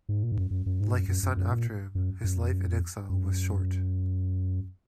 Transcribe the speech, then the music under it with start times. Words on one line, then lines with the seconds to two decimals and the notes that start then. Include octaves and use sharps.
Like his son after him, his life in exile was short.
0.09 G#2
0.23 A#2
0.32 G#2
0.37 F#2
0.50 F#2
0.66 F#2
0.80 G#2
0.94 F#2
1.08 F#2
1.23 F#2
1.37 F#2
1.52 A#2
1.95 F#2
2.24 F#2
2.37 F2
2.52 F#2
2.67 F2
3.09 F#2